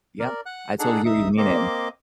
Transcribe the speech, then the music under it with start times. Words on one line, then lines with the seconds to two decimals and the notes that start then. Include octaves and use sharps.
Yeah, I totally hear what you mean, and,
0.20 A#4 D5
0.46 F#5 F#6
0.79 D4 D#4 G#4 A4 D5 F#5
1.05 D#4 E5 D#6
1.38 A#3 C4 D#5 D6